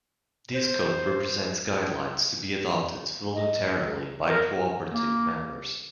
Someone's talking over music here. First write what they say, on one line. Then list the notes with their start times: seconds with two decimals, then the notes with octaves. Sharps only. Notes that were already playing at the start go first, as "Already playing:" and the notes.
This code represents guidelines to be adopted voluntarily by cooperative members.
0.55 C5
3.35 D#5
4.28 A#4
4.92 A#3